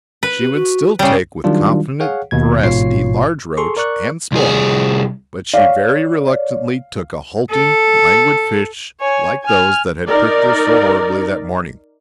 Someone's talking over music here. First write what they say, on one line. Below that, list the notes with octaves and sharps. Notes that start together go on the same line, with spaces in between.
She would still take with confident voracity large roach and small; but she very reluctantly took a halting, languid fish like those that had pricked her so horribly that morning.
B4
G4
F#4
C#3 G3 G5
D#3 F#3 G3 D4 F4
G#4 C#5 F5 F#5
D#2 B2 G#6
A1 G#2 B2 F4 C#5 C7
G#4 A4 C6 C#6
A#4 D5 C#6 F#6
C2 G#4
C#5 D5 F5
A4
C#5 G#5
G#5 F6
D#4 A#4 D5